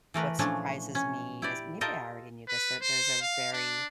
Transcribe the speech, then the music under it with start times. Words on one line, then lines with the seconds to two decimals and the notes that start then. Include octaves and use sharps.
what surprises me is- maybe I already knew this- that there's a very,
0.14 E3 A3 A#4 B4
0.39 A#2 E3 F3 A3 C#4 D4
0.95 C#4
1.42 E4 G4 D5
1.81 F4 A4 A#4 D#5 G5
2.48 B4
2.82 C5
3.21 F5
3.52 D4